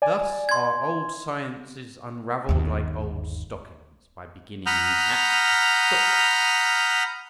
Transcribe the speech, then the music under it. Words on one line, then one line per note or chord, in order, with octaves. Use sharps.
Thus are old sciences unravelled like old stockings, by beginning at the foot.
D5 G#5
C6 G#6
G1 D#2
F#5 A#5 B5 D#6 F6 G6